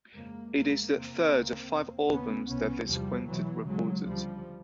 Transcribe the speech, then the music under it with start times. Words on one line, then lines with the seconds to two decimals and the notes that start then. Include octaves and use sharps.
It is the third of five albums that this quintet recorded.
0.14 F2 C#3 G#3 A#3
0.54 F2 C#3 G#3 A#3
0.92 E2 C3 A#3 C4
1.32 D2 C#3
1.71 E2 B2
2.10 D#2 C#3 B3 C#4
2.48 C2 B2 B3 C#4
2.87 E2 C3 F3 G3
3.26 E2 B2 E3 F#3
3.65 D#2 C#3 F#3 G#3
4.05 D2 C#3 F3 G3